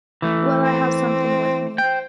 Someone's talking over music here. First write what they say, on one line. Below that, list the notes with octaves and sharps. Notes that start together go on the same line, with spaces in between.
Well I have something with me.
E3 A3
C4
C5 G5